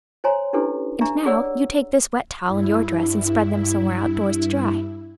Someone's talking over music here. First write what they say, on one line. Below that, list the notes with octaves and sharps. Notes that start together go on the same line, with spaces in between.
And now you take this wet towel and your dress and spread them somewhere outdoors to dry.
C5 C#5 G#5 A#5 C6
C#4 D4 E4 G4 A4 B4
D4 E5 A#5 C#6
G#4 C#5 D5 F#5 E6
G2 E4